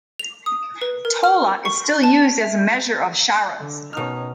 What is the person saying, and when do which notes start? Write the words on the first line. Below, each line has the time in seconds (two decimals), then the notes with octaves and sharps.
Tola is still used as a measure of charas.
0.19 F7
0.46 D#6
0.82 B4
1.05 A#4
1.24 F6
1.65 C#6
2.03 A5
2.41 E5
3.59 D3
3.93 B2 C#4 D#4 F6